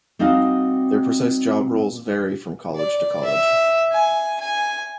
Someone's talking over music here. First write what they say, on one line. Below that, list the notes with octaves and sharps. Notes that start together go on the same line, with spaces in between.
Their precise job roles vary from college to college.
G3 C4 D#4 F#4 D#5 F5
D5
E5
G#5
G#5